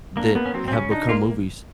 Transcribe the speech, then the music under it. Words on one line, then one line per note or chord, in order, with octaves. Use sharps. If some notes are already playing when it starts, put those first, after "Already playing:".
that have become movies.
A#3 D4
A#3 B3
C#4
F#3 C4
C4
C#3 C#4
D4 D#4
A#3 F4